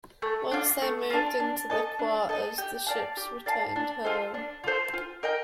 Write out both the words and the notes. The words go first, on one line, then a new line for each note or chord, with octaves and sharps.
Once they moved into the quarters, the ships returned home.
A3
D4 F4
A3
D4 F4
D4
A4 D#5 A5
D4
A4 D#5 A5
G4
D5 F5 A5
G4
D5 F5 A5
D4
F4 A4 C5
D4
F4 A4 C5
F4
A#4 D#5 G5